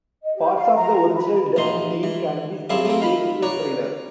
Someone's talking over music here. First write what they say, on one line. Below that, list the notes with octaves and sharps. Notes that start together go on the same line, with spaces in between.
Parts of the original death scene can be seen in theatrical trailer.
D#5
G4
F5
A#5
B5
A#1 E3 D#4 C6
E3
F#2 C4 E4 G#4 F5 A5
A3 A#3 C4
D#3 F5 B5
C#5 D5 F#5 A#5